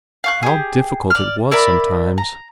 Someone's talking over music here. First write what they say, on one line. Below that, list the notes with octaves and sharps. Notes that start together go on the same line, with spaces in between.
How difficult it was sometimes.
F5 C#6 F#6
G4 G#4
D5 F6
E4 A#4 D5 B5
A#5